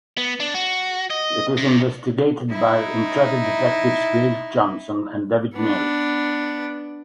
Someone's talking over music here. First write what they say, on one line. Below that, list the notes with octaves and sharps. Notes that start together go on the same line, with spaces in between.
It is investigated by intrepid detectives Gail Johnson and David Mills.
B3
D4
F#4
D#5
C3
D#4 E4
B3 D4